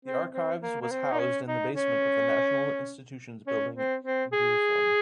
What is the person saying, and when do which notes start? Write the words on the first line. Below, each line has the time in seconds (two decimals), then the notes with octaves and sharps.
The Archives was housed in the basement of the National Institutions building in Jerusalem.
0.05 C4
0.33 C4
0.62 A#3
0.81 A#3
0.91 C4
1.12 D#4
1.19 C#4
1.48 D#4
1.76 C#4
3.47 C#4
3.76 C4
4.04 C4
4.33 G#4